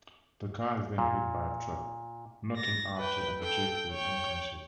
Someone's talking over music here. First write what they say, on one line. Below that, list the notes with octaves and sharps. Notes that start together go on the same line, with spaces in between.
The car is then hit by a truck, knocking Arthur and Jeffrey unconscious.
A#2
A6 A#6
B4 G5
A4 G5
C#5 G5